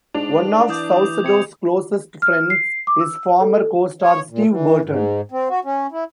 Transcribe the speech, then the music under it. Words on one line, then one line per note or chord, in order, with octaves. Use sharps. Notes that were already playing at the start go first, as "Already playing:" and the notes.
One of Saucedo's closest friends is former co-star Steve Burton.
G#2 D4 F7
E3 D6 D#6 G6
C3 G#6 C#7 F7
F6
C7
D6
E6
A4
C#5
A#2
E3
G#2
C4
F#4
C#4
E4